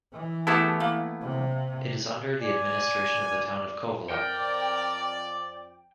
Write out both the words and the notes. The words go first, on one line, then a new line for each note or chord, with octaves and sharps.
It is under the administration of the town of Kouvola.
E3
A3 B3 E4 G4 G#4 A5
A#3
C3
D5 G#5
F2 A#4 D5 G5